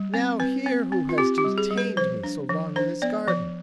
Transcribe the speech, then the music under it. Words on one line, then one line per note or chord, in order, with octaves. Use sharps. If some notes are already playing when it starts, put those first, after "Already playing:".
Now hear who has detained me so long in this garden.
Already playing: G3
C4
C4 B4
C4
C4
F4
C4 G4
G4
G3
G#4
G3
B4
F3 C5
D4
F3
D4 C5
B3 D5
F3 D5